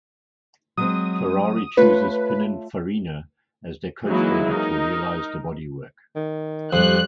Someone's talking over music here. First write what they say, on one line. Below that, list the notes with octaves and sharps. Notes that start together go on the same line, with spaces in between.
Ferrari chose Pinin Farina as their coachbuilder to realise the bodywork.
F#3 G#3 C4 D#6
A3 F4 B4 C#5
E3 F#3 G#3 A#3 D#4 E4
D#4 A#4
D#3
F2 G3 C5 F#6